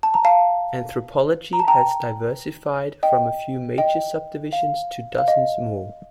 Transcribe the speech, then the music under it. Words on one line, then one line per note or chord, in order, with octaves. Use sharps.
Anthropology has diversified from a few major subdivisions to dozens more.
A5
A#5
F5 A5
A#5
A5
G5 A#5
D#5 G5
D#5 G5
F5
F5
D#5